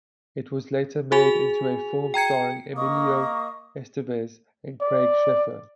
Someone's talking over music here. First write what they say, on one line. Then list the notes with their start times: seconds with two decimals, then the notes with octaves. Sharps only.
It was later made into a film starring Emilio Estevez and Craig Sheffer.
1.12 F#4 G#4 G#5 F7
2.14 G5 A#5 G#6 C#7
2.75 A#3 D#5 C#6 D#6
4.81 D5